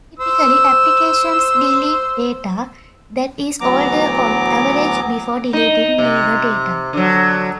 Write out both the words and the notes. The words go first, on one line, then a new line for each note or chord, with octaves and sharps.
Typically, applications delete data that is older on average before deleting newer data.
C5 E6
D2 E3 F#3 B3 A#5 D6
D#4
C3
D3 F#3